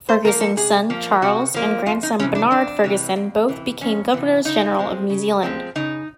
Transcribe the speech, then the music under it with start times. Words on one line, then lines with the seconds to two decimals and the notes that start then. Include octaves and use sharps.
Fergusson's son Charles and grandson Bernard Fergusson both became Governors-General of New Zealand.
0.09 C5
0.25 F3 A#3 A#4
0.41 A4
0.57 C3 G#4
0.90 F3 A#3
1.22 C3 F#4
1.54 F3 A#3
1.86 F2 F4
2.03 D#4
2.19 E3 C#4
2.23 C3
2.35 D4
2.51 F2 D4
2.84 C3 E3
3.16 F2
3.48 C3 E3
3.81 F2 C#4
4.14 C3 E3
4.45 C#3 D#4
4.78 F3 G#3 C4
5.10 C#3
5.43 F3 G#3 C4
5.75 C#3 D#4